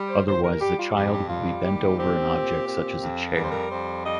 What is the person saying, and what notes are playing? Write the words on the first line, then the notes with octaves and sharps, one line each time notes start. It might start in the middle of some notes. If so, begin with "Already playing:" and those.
Otherwise the child would be bent over an object such as a chair.
Already playing: G3
C5
D#2 C5
A#4
G3 G4
F4
F2 G4
G4
G3 F4
D#2 G4
C4 G4
A#2
C4
F2
G3 A#4
C5
A#4
F2 C5
G3 D#5